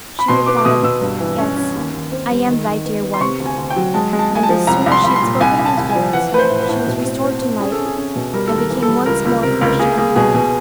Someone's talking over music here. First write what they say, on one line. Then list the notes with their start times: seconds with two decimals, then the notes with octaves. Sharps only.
She replied, "Yes, I am thy dear wife;" and as soon as she had spoken these words she was restored to life, and became once more fresh and blooming.
0.19 B5
0.28 B2 C6
0.46 B3 D6
0.57 D6
0.65 B2 D#6
0.83 B2 E6
1.01 G2
1.20 E3
1.38 C#4
1.57 C#4
1.75 D#2
1.93 D#2
2.12 C4
2.30 G3
2.48 D#3
2.67 D#3
2.85 B3
3.03 B3
3.14 C6
3.21 C3 C#6
3.40 D2
3.46 G#5
3.57 D2
3.70 G5
3.76 F#3
3.94 G#3 A5
4.13 G#3
4.19 A5
4.31 G#3 G#5
4.43 A5
4.49 F3
4.67 C2 A#5
4.86 C2
4.92 C6
5.04 C2 B5
5.16 C6
5.22 A#2
5.40 C2 G#5
5.59 C2
5.65 A5
5.77 C2
5.90 G#5
5.96 F3
6.13 E3 F#5
6.32 A3 B4
6.38 C5
6.50 A2
6.63 B4
6.69 A2
6.87 B2
7.05 C4
7.24 C4
7.42 C4
7.60 C#4 G#4
7.72 A4
7.78 C#4
7.85 G#4
7.96 C#4
8.16 B2
8.33 G3 A#4
8.47 D#2 A4
8.58 A#4
8.70 E3
8.82 A4
8.89 G3
9.06 C#2 A#4
9.24 C#2 A#4
9.43 C3 A#4
9.61 C#2 A#4
9.79 A#3 G#4
9.98 A#3 G#4
10.16 B2 G#4
10.34 B2 G#4